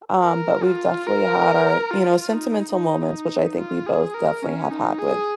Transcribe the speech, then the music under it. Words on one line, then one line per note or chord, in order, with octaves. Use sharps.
Um, but we've definitely had our, you know, sentimental moments, which I think we both definitely have had with
A#4
F4
A#4
F4
D#4
D#4
F4
G#4
A#4
C#4
D#4
G#4